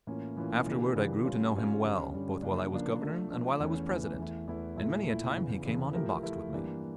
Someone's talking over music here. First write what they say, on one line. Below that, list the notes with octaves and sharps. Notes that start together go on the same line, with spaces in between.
Afterward I grew to know him well both while I was Governor and while I was President, and many a time he came on and boxed with me.
A2 E3 A#3 C#4 F4
A2 E3 A#3 C#4 F4
C#3 E3 A#3 D4 G4
C#3 E3 A#3 D4 G4
G3 C#4 F4 C#5
G3 C#4 F4 C#5
G2 D3 G3 C#4
G2 D3 G3 C#4
C#3 F3 A#3 D4
C#3 F3 A#3 D4
F3 A3 D4
F3 A3 D4
E2 E3 A3 C#4
E2 E3 A3 C#4
E2 E3 A3 E4
E2 E3 A3 E4
A#2 A3 E4
A#2 A3 E4
E2 C#3 E3
E2 C#3 E3
F3 A3 E4 G4 A#4
F3 A3 E4 G4 A#4
G2 E3 A#3 D4 G4